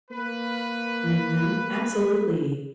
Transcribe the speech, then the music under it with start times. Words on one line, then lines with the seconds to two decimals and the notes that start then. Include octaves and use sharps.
Mhm. Absolutely,
0.11 A#3 B4